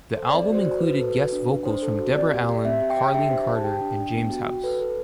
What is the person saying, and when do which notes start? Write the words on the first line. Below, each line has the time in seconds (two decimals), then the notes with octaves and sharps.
The album included guest vocals from Deborah Allen, Carlene Carter, and James House.
0.16 A4 C5
0.29 D5
0.34 C4
0.42 D5
0.50 F#4 C5
0.66 F#4 C5
0.79 F#4 B4
1.00 A4 B4
1.16 F#4
1.32 D4
1.49 D4
1.65 D4 C5
1.83 A4
1.99 F#4
2.15 C4 D5
2.32 G4
2.49 G4
2.65 C4 E5
2.82 G4
2.90 G5
2.99 G4
3.14 D4 E5
3.31 G4 C5
3.48 G4
3.56 A5
3.64 G4 G5
3.81 D4
3.97 D4
4.14 B3
4.30 F#4
4.48 F#4
4.64 A4 B4
4.81 A4